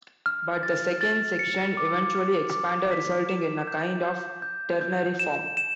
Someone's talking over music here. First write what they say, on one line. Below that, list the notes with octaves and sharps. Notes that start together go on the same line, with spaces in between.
But the second section eventually expanded, resulting in a kind of ternary form.
F6
A6
A6
C#7
D6
F6
D6
B6
E7
G6
G6
G6
G6
E7
E7